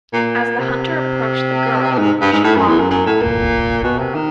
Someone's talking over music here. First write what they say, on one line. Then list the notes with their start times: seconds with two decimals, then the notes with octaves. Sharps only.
As the hunter approached the girl, she mocked him.
0.13 A#2
0.59 C3
1.98 G#2
2.21 G2
2.33 G#2
2.44 A2
2.56 F#2
2.68 E2
2.79 F#2
2.91 F#2
3.06 A2
3.22 A#2
3.84 B2
3.99 C3
4.14 D#3